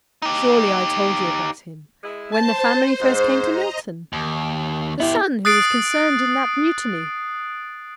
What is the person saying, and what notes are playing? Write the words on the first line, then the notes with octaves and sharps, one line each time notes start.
'Surely I told you about him, when the family first came to Milton--the son who was concerned in that mutiny.'
D#4 G4
G#3 E4
C5 A5
G#2
D#5 A#5
D#2
B3 E4 G4
D#6 F#6 A6 C7 D7